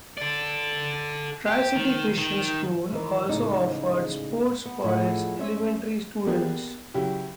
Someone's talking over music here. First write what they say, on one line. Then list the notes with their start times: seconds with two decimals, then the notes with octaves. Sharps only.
Tri-City Christian School also offers sports for its elementary students.
0.17 A4 D5
1.46 G4
1.75 D#3
2.18 D#3
2.92 D#3 E3
3.29 A2 C#3 G#3 D#4 D5
4.65 B3
4.84 A2 F3 G#3 D#5 E5 F#5
5.39 C#4 C5 C#5 E5
6.26 A#3 B3 D4 G4 G#4
6.94 C#3 F#3 E4 G4